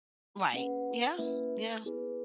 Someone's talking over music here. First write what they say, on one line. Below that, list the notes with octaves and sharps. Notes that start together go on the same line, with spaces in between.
Right. Yeah. Yeah.
A#3 C#4 G#4 B4 F#5
A#3 C#4 E4 B4 E5
B3 E4 G#4 B4